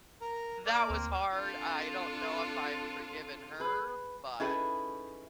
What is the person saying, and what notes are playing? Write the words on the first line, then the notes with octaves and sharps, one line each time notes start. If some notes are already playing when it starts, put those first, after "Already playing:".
that was hard, I don't know if I've forgiven her but
A#4 A#5
A#3 D5 D6
D2 C4
C4 D4 F4 A4
G#4 B4
C#4 D#4 E4 G#4 A4 B4